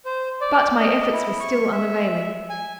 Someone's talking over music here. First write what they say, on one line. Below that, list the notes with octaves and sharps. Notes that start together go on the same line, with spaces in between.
But my efforts were still unavailing.
C5
D5
D#5
E4
C#6
E5
G#5